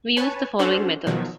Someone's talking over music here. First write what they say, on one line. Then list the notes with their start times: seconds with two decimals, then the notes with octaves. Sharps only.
We use the following methods.
0.17 B4 C#5 G#5 A5
0.59 C#4 D4 F#4 A4 C5
1.07 B2 D#3 F3 F#3